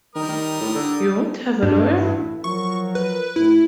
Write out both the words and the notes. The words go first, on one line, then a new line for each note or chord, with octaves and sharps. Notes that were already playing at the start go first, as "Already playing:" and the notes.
You won't have a lawyer?
D#3 G3 A#4 D#6
D#3
A2
D3
F#1 G2 B2 D4
A1 E4
F3 F#3 A#4 C#6
B4
A2 E4